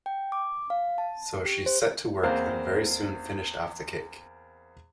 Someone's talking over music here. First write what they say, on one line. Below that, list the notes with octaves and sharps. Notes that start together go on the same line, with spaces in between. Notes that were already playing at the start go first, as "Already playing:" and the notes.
So she set to work, and very soon finished off the cake.
G5
D6
F5
A5
G4
C5
E2 A#3 C4 C5 F5